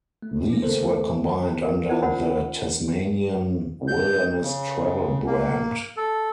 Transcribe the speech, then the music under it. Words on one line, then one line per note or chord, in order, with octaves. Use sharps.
These were combined under the Tasmanian Wilderness Travel brand.
A3
F3 C#4
A3 A4 A#4 C5
A#4 F5
D#4 F4 C5 D5
C#4 A#4 F#5 B5
G6
C#3
A#3
A4